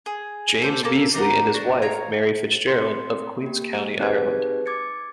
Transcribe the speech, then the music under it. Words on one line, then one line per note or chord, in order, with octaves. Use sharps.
James Beesly and his wife, Mary Fitzgerald, of Queen's county, Ireland.
G#4
A4 C5 D6
A#3 A4 A5
D4 D#4 A#4 F#5
D4 F#4
C#5 F5 A#5
C4 C6 C#7
A#3 G4
C4 D#4 G4 G#4 B4 G#6
D6 G#6 A6 C#7